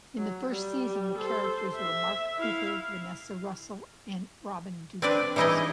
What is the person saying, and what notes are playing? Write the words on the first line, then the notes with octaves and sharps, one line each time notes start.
In the first season, the characters were Mark Cooper, Vanessa Russell, and Robin Dumars.
F#3
G3
A4 C5
E5
E4 F5
C4 D4 B4 D5
E3 G3 D#4 E4 G#4 D#5